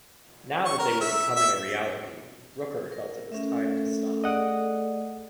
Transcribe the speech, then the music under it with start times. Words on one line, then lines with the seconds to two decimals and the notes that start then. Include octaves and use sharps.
Now that they were becoming a reality, Brooker felt it was time to stop.
0.66 C#6
0.79 A#4
1.01 E5
1.36 E5
2.92 A#4
3.32 A3 C#4 A#4 E5
4.24 G#4 D5 D#5 F#5 D#6